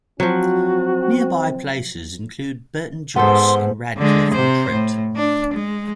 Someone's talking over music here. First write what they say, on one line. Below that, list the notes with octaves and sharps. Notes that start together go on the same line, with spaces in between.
Nearby places include Burton Joyce and Radcliffe on Trent.
F3 F#3 C4 F#4
G#2 B3 A4 C5 F#5 C6
D3 G#3
C3 C5
A2
D4
G#3